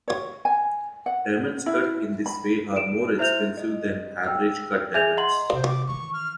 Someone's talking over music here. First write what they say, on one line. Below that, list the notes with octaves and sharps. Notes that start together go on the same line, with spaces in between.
Diamonds cut in this way are more expensive than average cut diamonds.
C#5
G#5
F#5
E4
B5
D7 E7
E4 C5 E5 F6 G6 F7
D#5
G5 E6 F6
G#4 E5 G#5 G6 G#6 F7
D#5 F#5 A#5 C6 F#7
C3 C5
D6
D#3 E3 C#6
F6